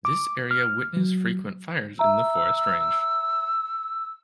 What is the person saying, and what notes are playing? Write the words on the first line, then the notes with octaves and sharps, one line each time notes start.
This area witness frequent fires in the forest range.
D6
F6
F#3
E5 A#5 E6